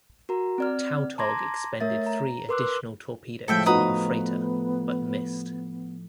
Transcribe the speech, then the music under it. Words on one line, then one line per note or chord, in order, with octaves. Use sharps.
"Tautog" expended three additional torpedoes on a freighter, but missed.
F#4 A#4 A#5
C4 D5 F6
A5 A#5 C6 D6 G#6 A#6
A3 A#4 C#5 E5 A6
A#5
A#4 B4 C6 D6 E6 F#6
A2 F3 G#3 A4 E5 G5
B3 D#4 F#4 B4 A#5 D#6